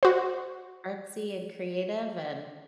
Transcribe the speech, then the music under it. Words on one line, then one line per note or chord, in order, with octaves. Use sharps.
artsy and creative, and,
F#4 C5